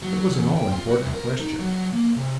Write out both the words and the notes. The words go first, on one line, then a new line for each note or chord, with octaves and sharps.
It was an all-important question.
F#3
E2
G5
F4
F#4
C2
A#4
D#4
F#3
A#3
C3